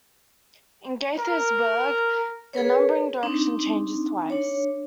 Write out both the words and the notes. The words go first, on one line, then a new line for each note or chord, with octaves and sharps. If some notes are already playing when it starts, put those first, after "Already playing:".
In Gaithersburg, the numbering direction changes twice.
A#4
G#4 A#4 B4 C#5
C4 D4 D#4
D4 C#5